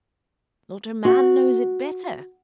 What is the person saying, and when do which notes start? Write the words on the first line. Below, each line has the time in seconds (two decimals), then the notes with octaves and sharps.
Not a man knows it better.
1.05 F#4